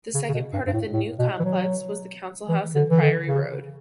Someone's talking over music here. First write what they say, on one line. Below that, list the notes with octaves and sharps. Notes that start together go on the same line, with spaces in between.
The second part of the new complex was the council house in Priory Road.
C#3
C#3
B2
G2
G2
A2
A2
B2
E3
F#3
E3
D3
E3
D3
C#3